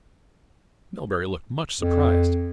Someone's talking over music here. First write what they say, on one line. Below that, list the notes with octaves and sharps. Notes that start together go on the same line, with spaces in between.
Melbury looked much surprised.
F2